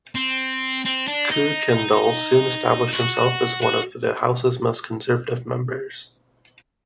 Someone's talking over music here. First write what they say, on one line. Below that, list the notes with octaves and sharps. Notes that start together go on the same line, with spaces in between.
Kuykendall soon established himself as one of the House's most conservative members.
C4
C4
D4
D#4
F#4
F#4